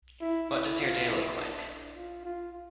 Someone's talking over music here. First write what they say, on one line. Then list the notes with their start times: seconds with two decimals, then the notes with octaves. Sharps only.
What does your day look like?
0.21 E4
0.50 E4
0.79 F4
1.08 E4
1.38 D4
1.96 F4
2.25 F4